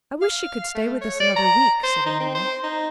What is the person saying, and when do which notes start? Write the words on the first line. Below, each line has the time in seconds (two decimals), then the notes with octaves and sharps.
"I wish she could stay with us another week," said Amelia.
0.22 F5
0.75 A3
1.01 C#5
1.20 D5
1.37 A#5
1.84 C5
2.06 D#4
2.20 C4
2.35 C5
2.63 D#4